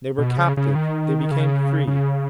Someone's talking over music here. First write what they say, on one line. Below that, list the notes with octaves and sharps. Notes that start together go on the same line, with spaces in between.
They were captive; they became free.
B2
C#3
C#3
D#3
C#3
C#3